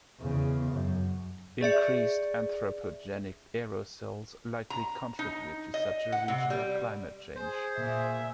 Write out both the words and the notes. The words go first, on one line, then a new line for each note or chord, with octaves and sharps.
Increased anthropogenic aerosols likely contributed to such a regional climate change.
E2 C#3
F#2
G#4 D5 E5 C#7
A#5
D#4
D#5
F#5
C3
G3
G#4 C5
A#2 E5